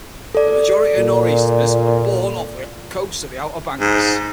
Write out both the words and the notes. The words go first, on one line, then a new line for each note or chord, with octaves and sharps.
The majority of nor'easters are "born" off the coasts of the Outer Banks.
A4 D5
A#2
G#2